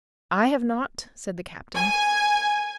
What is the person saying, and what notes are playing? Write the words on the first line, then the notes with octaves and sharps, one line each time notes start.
"I have not," said the Captain.
G#5